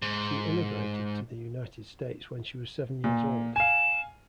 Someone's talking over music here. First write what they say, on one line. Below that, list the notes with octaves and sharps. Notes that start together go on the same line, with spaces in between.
She immigrated to the United States when she was seven years old.
G#2
A#2
F5 G#5 E7